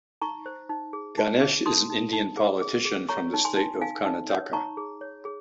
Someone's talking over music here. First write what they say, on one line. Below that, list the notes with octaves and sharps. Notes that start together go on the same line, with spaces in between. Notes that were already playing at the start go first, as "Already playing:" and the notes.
Ganesh is an Indian politician from the state of Karnataka.
D#4 A#5 C#6
C5
D#4
G#4
D#4
G#4
D#4 C6 D#6
D#4
D#4
G#4
G#4
G#4
C#5 A#5 C#6
D#4
G#5 C6
D#4
D#4 F5 G#5
D#4
C#5
D#4 A#5 C#6
G#4
C#5
G#4